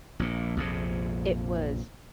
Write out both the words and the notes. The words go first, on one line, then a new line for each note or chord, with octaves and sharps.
it was
A#1 A#2
A#1 F2 C3